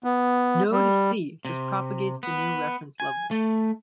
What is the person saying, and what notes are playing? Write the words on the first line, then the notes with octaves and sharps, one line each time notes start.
Node C just propagates the new reference level.
B3
G3
C3
B3
G#5
A3